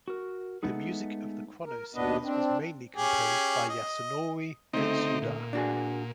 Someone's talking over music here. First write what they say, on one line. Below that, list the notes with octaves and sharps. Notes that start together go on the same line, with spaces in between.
The music of the "Chrono" series was mainly composed by Yasunori Mitsuda.
F#4 A#4
G#3 A3 B3 D#4 G#4
A#4
D#2 B2 B3 D4 B4 D#5
C4 D4
C#4 G4 G#4
D#5
D2 C#3 A3 C4 D#4
A#2
D4 F#4 G#4